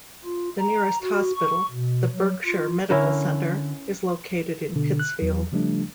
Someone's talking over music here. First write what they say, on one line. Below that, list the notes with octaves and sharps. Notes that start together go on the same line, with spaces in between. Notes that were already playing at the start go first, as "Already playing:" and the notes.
The nearest hospital, the Berkshire Medical Center, is located in Pittsfield.
F4
A#5
F#4
C#6
B2
F#3
F4
D3 C#4 E4 A#4
B2 D3
F#6
E2 F#3
C#3 F3 G3 A3 D4